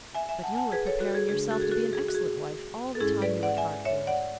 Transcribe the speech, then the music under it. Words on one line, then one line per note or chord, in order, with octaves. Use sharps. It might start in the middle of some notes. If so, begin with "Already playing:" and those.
But you were preparing yourself to be an excellent wife all the time you were at Hartfield.
E5 G#5
E5 G#5
F#5 A5
G#5
F#5 A5
G#4 B4
A4 C#5
F#4 A4
G#4
C#3 G#3 D4 G#4
F#4 A4
G#4
F#4 A4
G#4
F#4
G#4
A4
G#2 G#3 C#4 E4 G#4
B4 D5
D5 F#5
E5 G#5
C#5 E5
D5 F#5